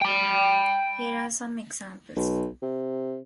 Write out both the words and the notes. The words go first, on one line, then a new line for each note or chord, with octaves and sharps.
Here are some examples.
G5 B5
B1
C3